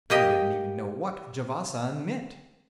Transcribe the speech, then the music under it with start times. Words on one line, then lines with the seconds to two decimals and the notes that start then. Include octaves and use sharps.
He didn't even know what Javasan meant.
0.10 A#3 G4 D#5